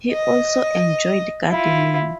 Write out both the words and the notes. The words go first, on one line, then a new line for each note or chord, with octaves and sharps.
He also enjoyed gardening.
D#5
E4 F4